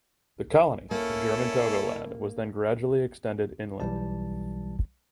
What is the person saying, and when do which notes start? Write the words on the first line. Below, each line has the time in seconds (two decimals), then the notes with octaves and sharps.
The colony of German Togoland was then gradually extended inland.
0.91 A#3 C#4 E4 A4
3.80 B1 E3 G3 A5